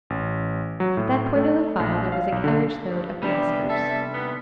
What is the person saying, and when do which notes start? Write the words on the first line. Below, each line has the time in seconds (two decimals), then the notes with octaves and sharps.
At that point of the file there was a carriage-load of maskers.
0.10 A1
0.80 F#3
0.97 A2
1.36 A3
1.80 A#1
2.12 F5
2.32 B1
2.44 D3
2.89 G2
3.23 C3 G3 B3 D4 G4
3.68 A4 E5
4.13 D#2 B3